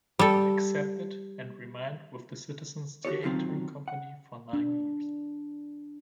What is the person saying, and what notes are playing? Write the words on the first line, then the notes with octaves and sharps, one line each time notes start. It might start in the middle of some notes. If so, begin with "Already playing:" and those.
He accepted, and remained with the Citizens Theatre company for nine years.
G3 A4
F#4 G4 A4 C#5
B1 F#2 D#3 F#3 C4 F4
F#5
D4